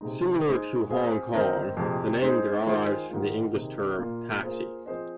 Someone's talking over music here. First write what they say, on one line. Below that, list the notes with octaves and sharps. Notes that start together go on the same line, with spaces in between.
Similar to Hong Kong, the name derives from the English term "Taxi".
C3 G#3 D#4
G#3 D#4 C5
G#3 C4 G#4 F5
D#3 C4 D#4 A#4
F2 C3 G#3
G#3 C4 D#4 C5
D#3 G#3 F4 G#4 C5
G#2 D#3 G#3 F4
C3 D#3 G#3
A#2 A#3 F4
A#3 F4 G#4 C5
F3 C4 G#4 C5 D#5